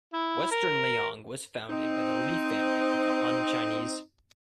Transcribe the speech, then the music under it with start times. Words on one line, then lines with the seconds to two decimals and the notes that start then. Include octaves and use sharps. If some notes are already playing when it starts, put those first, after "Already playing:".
Western Liang was founded by the Li family of the Han Chinese.
0.13 E4
0.51 A#4
1.69 C4 D#4